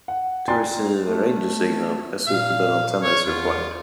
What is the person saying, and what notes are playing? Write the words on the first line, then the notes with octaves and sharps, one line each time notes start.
To receive a radio signal, a suitable antenna is required.
F#5
D5 G5 G#5 A#5 C6 A6
A3
A#2 F5
C#5
E2 F4